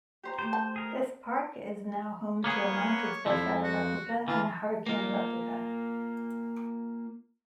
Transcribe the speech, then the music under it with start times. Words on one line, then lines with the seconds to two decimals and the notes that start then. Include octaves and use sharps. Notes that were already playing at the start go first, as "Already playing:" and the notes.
This park is now home to a mounted Spitfire replica and a Hurricane replica.
0.23 G4 C5 A#5
0.39 A3 G4 C5
0.53 A5
0.76 G#4 A#4
2.44 A#3 B3 G#4 C#5
3.26 F2 F3 E4
3.63 F#4
4.28 E3 F4
4.86 A#3 F4